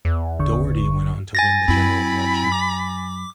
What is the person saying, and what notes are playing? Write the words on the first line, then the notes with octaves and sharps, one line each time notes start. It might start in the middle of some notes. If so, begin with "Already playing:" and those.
Dougherty went on to win the general election.
E2
G#1 D3 C#6
G#5 A6 A#6
F#2 C4 E4 B5
D6